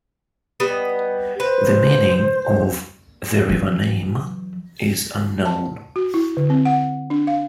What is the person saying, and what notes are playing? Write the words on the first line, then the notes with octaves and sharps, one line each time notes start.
The meaning of the river name is unknown.
G3 B3 D#5
B4 C5
E3 F#3
A5
F#4
E4
D3
C4
F#5
D4
F5